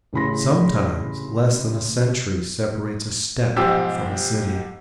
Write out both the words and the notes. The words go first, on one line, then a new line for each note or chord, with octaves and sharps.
Sometimes less than a century separates a steppe from a city.
A1 C#3 E4 B5 C6 A#6
B1 G#2 F3 G4 E6